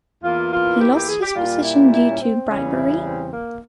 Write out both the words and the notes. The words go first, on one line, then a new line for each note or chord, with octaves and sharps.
He lost his position due to bribery.
E2 E3 A#3 F4
F4
G4
G4
G#4
G4
A#2 G3 A#3 F4
E4
E4
C#4
C4
E2 C#3 E3 G3 C#4
E4
C4
A#3